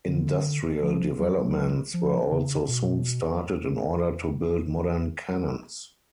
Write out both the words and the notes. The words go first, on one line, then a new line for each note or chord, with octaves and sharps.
Industrial developments were also soon started in order to build modern cannons.
D3
F3
F#3
F3
C#3
B2